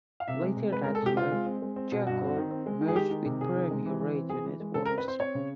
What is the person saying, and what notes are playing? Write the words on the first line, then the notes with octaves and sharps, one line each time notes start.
Later that year, Jacor merged with Premiere Radio Networks.
F5
C3 E5
G#3
C3
G#3 B4
A#4
G#3
A4
C3 G4
C4 F4
G#3
C4
G#3
C4
B2
G2 F#4
C4
D#3
C4
G#3
D#3
G#4
G#3 G4
D#3
C3
C3 G#4
D#3
G#3
E3
E3
C4
E3 G#4
E3
G#3
C#3 A4
A#4
C4
B4
C4 C5
C4 C#5
C#3